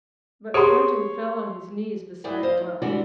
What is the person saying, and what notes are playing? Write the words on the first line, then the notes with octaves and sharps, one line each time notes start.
But Thornton fell on his knees beside Buck.
G4 G#4 C#5 C6
G2 E4 G#4 D5 G5
C5 D#5 F5
G#2
D3 E3 G3 G#3 D4 F#4